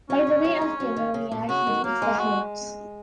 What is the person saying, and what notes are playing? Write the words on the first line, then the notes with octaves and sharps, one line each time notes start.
By the way of Pannonia, he reached the Huns.
F#3 C#4
C#3
F#3
G#3
F#3
D#3
C#3
A#2
C#3 F#4
D#3
F#3 A#3
G#3
F#4